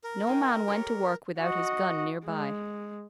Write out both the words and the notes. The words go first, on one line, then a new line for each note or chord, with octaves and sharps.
No man went to work without his gun near by.
A#4
G#3 D#4 G5
G4 A4 C#5
F#4 D#5
G#3